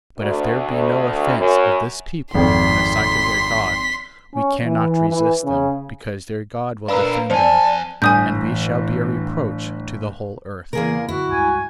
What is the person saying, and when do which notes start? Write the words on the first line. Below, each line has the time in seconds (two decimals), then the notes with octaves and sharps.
But if there be no offence of this people in the sight of their God, we cannot resist them because their God will defend them: and we shall be a reproach to the whole earth.
0.19 D2
1.38 F#2
2.35 G#1 F2 C6 B6
4.33 C#4
4.63 E3
5.07 E3
5.43 C#3
6.88 D4 A#4 B4 F5 B5 E6
7.30 F2 C5 D5 G#5 A5
8.02 G1 A2 E3 G#5 D#6 G6
10.73 E2 C#3 E3 A#3 G#4 A#4
11.09 F#2 D3 E4 F#4
11.31 C#2 G2 G#3 G#5